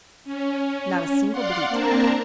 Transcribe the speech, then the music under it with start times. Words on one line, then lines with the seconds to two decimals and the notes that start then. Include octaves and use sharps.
Not a single bleat.
0.24 C#4
1.30 D5 F5 F#5 C6
1.69 A#3 C4 D4 A#4 A5 A#5